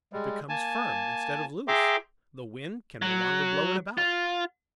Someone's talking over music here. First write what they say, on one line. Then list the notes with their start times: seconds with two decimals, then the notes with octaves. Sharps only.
It becomes firm, instead of loose; the wind can no longer blow it about.
0.13 G3 G#3
0.49 A#3 G#5 A5
1.68 G#4 E5 G5 A#5 C6 D6
3.02 F#3
3.98 F4